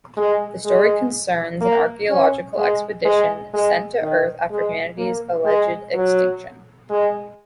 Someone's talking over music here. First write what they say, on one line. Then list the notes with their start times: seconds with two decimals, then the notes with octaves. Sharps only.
The story concerns an archaeological expedition sent to Earth after humanity's alleged extinction.
0.17 G#3
0.65 G#3
1.61 A#3
2.10 C#4
2.57 G#3
3.05 G#3
3.54 G#3
4.01 D#3
4.50 G#3
4.98 A#3
5.45 G#3
5.94 F#3
6.90 G#3